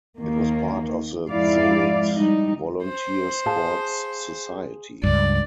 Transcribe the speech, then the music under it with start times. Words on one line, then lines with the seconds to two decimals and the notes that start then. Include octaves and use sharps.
It was part of the Zenit volunteer sports society.
0.17 D#2 D#3 A#3
1.30 F2 G#2 G#3 E4 D5 F5
2.16 G3 D#4
2.84 C5
3.46 G#4 F5 A5
5.04 C#2 G2 D5